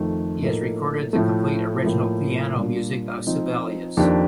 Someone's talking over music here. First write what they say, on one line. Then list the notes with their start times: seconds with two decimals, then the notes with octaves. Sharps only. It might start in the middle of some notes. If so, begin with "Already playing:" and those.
He has recorded the complete original piano music of Sibelius.
Already playing: F2 D#3 A3
0.42 A2 F3 A#3 D#4 A4
1.13 A2 F3 A3
1.84 A2 F3 A#3
2.55 A#2 G3 D4
3.27 F3 C4 D#4
3.97 F2 D#3 A#3 D4 G4